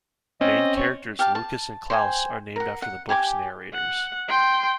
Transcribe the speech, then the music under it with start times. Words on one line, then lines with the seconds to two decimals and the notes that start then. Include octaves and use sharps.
Main characters Lucas and Claus are named after the book's narrators.
0.41 C4 C#4 D#5
0.76 C#5
1.19 G4 F5 A5
1.35 A5
1.90 C5 G5 G#5
2.56 A#4 F#5
2.82 F#5
3.09 G4 G#5 A#5 D6
3.73 F#5
4.29 G5 C6